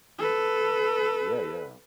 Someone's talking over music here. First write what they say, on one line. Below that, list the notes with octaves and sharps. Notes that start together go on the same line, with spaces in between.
Yeah, yeah.
A4 B4